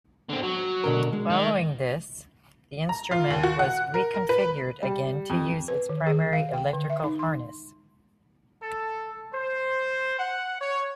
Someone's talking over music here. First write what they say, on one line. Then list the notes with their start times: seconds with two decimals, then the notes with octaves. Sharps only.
Following this, the instrument was reconfigured again to use its primary electrical harness.
0.29 D3 C4
0.43 F#3
0.84 B2 D3 A#4
1.13 G#3
1.30 D#3
2.89 A#5
3.11 F4
3.30 D#2
3.43 F#4
3.59 F#5
3.94 A#4
4.14 A#4
4.29 B4
4.83 G3
5.30 F2
5.68 B4
5.89 D#3
6.07 G#4
6.33 F5
6.54 G5
6.73 D3
6.90 E5
7.04 D#4
7.19 C6
8.62 A4
9.34 C5
10.19 F#5
10.61 C#5